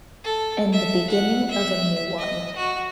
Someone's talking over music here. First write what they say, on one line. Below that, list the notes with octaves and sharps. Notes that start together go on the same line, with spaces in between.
And the beginning of a new one.
A4
E5
F#5
E5
D#5
F#4